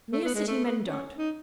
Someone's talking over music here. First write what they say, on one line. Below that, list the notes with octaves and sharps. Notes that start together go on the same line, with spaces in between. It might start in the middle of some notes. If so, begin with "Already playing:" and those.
Mere City men don't.
A3
B3
G#3
A3
B3
C#4
D#4